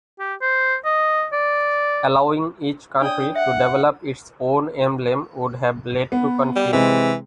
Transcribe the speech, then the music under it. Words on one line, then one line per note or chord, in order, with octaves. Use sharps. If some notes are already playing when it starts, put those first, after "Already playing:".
Allowing each country to develop its own emblem would have led to confusion.
G4
C5
D#5
D5
D4 C#5 D5 G5 D#6
E5 F#5
B3
G3
C3 E3 G#3 C4